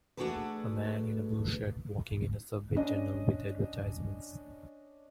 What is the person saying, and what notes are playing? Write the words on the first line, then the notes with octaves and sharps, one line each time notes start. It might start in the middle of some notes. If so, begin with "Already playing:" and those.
A man in a blue shirt walking in a subway tunnel with advertisements.
A3 D4 F#4 G#4 A4 B4
C#4 D4 D#5